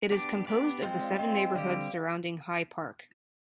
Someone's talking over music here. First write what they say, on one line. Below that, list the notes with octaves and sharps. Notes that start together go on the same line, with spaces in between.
It is composed of the seven neighbourhoods surrounding High Park.
B3 D4 G4 D5
B3 D4 G4 D5
G#3 C4 F4 D#5 G5
D5 F5
G#3 C4 F4 D#5 G5
D3 G3 C4 G4 D5 F5